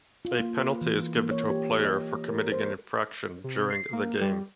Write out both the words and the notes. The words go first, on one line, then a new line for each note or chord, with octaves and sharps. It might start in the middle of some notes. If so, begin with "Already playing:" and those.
A penalty is given to a player for committing an infraction during the game.
F4
A#3
B4
E3
A#3
C#5
G4
D#5
A#4
C5
C3
C7
A#3
G3